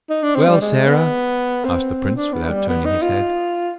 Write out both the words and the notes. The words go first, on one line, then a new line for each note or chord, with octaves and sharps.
"Well, Sarah?" asked the prince, without turning his head.
D#4
D4
C4
G3
G#3
B3
C4
D4
B3
G3
B3
D#4
F4